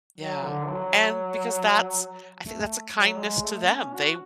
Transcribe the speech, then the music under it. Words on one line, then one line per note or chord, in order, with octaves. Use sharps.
Yeah, and because that's I think that's a kindness to them, they
F#3
D3
F#3
A3
F#3
G#3
A3
C#4
F#4